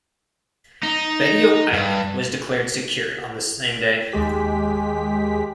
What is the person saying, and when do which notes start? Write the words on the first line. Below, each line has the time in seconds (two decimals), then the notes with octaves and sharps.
Betio Island was declared secured on the same day.
0.83 D#4
1.73 G2
4.12 D#2 G#3 G4 B6